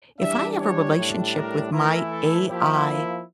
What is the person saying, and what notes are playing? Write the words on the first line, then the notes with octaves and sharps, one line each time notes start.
if I have a relationship with my AI
E3 G3 D4 E5
C#5
A2 G3 D4
A#4
E3 A3 E4 A#4
A4
F3 A#3 E4 G4